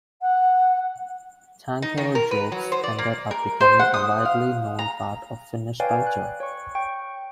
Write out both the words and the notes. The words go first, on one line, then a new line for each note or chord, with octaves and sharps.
"Tankero jokes" ended up becoming a widely known part of Finnish culture.
F#5
D#4
D#3
A#4
B4
F#3
C5
D5
A#3
A#4
C5
F#5
D#6
F5
A#5
B4 C#5 D5 F5 G5 G#5
F#6
C#5 C#6
G5 C#6